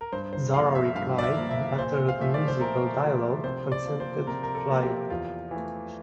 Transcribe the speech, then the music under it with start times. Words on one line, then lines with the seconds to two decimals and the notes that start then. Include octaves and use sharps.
Zara replied, and, after a musical dialogue, consented to fly.
0.01 A#4
0.13 G2 C5
0.33 C5
0.54 F3 A#3 F5
0.75 E5
0.95 G2 F5
1.18 D5
1.23 E5
1.36 F3 A#3
1.51 E5
1.78 A#2 C5
2.08 F5
2.19 F3 A3 E5
2.34 D5
2.48 C5
2.61 A#2 A#4
3.03 F3 A3
3.44 C3 C5
3.72 D5
3.85 F3 A#3
4.00 C5
4.27 C3 A#4
4.43 A#4
4.55 A4
4.69 F3 A#3
4.83 G4
5.10 E2 F4
5.51 E3 A3